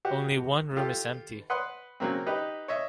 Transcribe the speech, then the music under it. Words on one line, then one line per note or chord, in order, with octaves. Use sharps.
Only one room is empty.
F#4 G4
F4 G4 A4
B4 F#5 C6 D#6 F#6
C#3 F#3 A#3 C4
D#4 G4 B4
C#5 D#5 E5